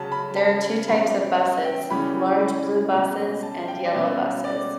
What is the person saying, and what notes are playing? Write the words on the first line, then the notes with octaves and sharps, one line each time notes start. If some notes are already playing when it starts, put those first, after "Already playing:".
There are two types of buses, large blue buses and yellow buses.
Already playing: C#3 F#3 C#4 A5
B5
A5
B2 G3 C#4 B5
E5
F#5
G5
C#3 E3 G3 C#4 B5
B5
B2 G3 C#4
A5
G5
D5
B2 G3 C#4 E5
D5